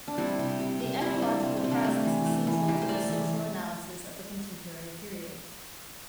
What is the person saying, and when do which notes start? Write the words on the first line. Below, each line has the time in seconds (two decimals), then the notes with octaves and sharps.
The ecological crisis is central to this social analysis of the contemporary period.
0.08 D4
0.18 G3 C4 E4
0.39 C3
0.60 C3
0.80 C3
1.01 G3 C4 E4
1.15 E4
1.22 A#3 D4
1.43 C3 C4
1.57 C4
1.64 C3
1.71 D4
1.84 A3
2.05 E3
2.26 A3
2.47 E3
2.68 E3 G4 A#4
2.82 C5
2.88 A3 A#4 D5
3.10 E3